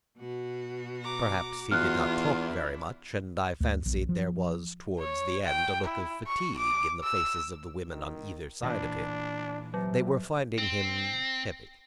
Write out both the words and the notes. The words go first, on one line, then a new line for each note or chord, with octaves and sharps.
Perhaps he did not talk very much, and I fancied there was towards the end a look of fatigue in the faces of the women on either side of him. They were finding him heavy.
B2 F#4
A#5 D6
E2 F4 F#4 F6 F#6
D4 E4
D2
A#1
F3
C#5
G5
E4
C#6
D6
E6
D#3
A#2 E3 D4
C3 F#3
C4